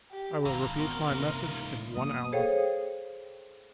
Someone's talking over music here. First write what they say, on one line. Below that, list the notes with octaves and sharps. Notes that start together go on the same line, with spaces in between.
I will repeat my message in one hour.
G4
G#1 G2 D3 F5 A#5
F2 B2 D#4 F4 A#4 C#6
G1 C3 E3 A#3 C#4
C#2 G#2 C3
G2 E3 F3 A#3 D#6
G#4 A4 C5 C#5 F5 G5